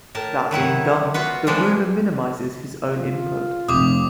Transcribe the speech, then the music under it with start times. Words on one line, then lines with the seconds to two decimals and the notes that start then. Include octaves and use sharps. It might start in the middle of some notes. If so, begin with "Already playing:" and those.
That being done, the ruler minimizes his own input.
0.15 A2 A#4 A5
0.51 D#3 F#3 E4 F#5
1.14 B3 F4 F#4 B4
1.47 C3 E3 F3 G#3 D4
2.96 F4
3.68 F1 C3 D6 D#6